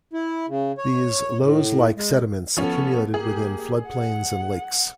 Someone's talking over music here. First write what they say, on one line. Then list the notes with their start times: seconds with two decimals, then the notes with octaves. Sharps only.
These loess-like sediments accumulated within floodplains and lakes.
0.13 E4
0.48 C#3
0.78 C#5
1.41 A2
1.97 G#3
2.57 F3 B3 C#4 A4
3.14 A#3 G4 G#4
3.88 F#5